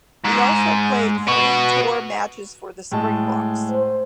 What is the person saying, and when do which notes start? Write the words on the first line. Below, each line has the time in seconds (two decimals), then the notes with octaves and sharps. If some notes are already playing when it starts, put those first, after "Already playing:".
He also played three tour matches for the Springboks.
0.24 G#2
1.28 B3 F#4
2.91 A2 G#3 A5
3.71 C5